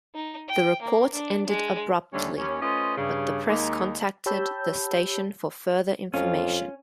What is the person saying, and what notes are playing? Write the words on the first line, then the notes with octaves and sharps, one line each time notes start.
The report ended abruptly, but the press contacted the station for further information.
D#4
G5
A#3
D4
G#3
D#2 D3 G3 A3 C#4
D#2 C#4
A3 C#4 F4 B4 C5 D#5
G2 C#3
D#2 G#3 A#3 D#4
G4 C#5 A5 B5 E6 G6
F2 C#4 F4